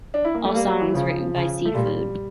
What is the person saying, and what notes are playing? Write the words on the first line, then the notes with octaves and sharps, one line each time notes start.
All songs written by Seafood.
D4
E4
A#3
A3
G3 A#3
G3
E3
C#3 F3
C#3
A3
A#2 G3